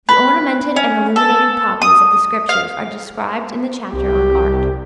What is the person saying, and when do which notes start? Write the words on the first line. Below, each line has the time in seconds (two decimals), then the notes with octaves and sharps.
The ornamented and illuminated copies of the Scriptures are described in the chapter on Art.
0.09 B4
0.76 C#4
1.16 A4
1.82 D#6
2.49 F5
3.93 C2 G4